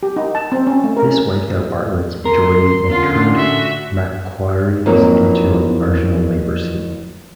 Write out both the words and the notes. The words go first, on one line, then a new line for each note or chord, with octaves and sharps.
This wiped out Bartlett's majority and turned Macquarie into a marginal Labor seat.
G4
D#4
A5
C4
C#4
A3
A#4
C#4
A#4 C6
D3 C#4 F4 C6
F#4 E5
F2 E3 F#3 A#3 D#4 A#4